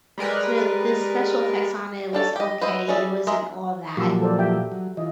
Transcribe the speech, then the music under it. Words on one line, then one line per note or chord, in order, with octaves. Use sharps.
So the special effects on it was okay, it wasn't all that.
G3 G#3 A#4 B4
G3 D4 A4 C#5
G4 D#5
B4 C5 D#5 E5
G3 C#4 G#4 D5 E5
G#3 G#4 A#4 E5
A#2 F3 F#3 G4 E6
A4 C5 D5
G4 E5 G5
F#3
E3 F4 D#5